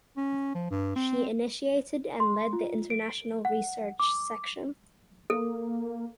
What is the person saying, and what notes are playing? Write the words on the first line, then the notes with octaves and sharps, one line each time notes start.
She initiated and led the international research section.
C#4
F3
G2
C4
C6
F4
D7
F#5
D6
A#3 A4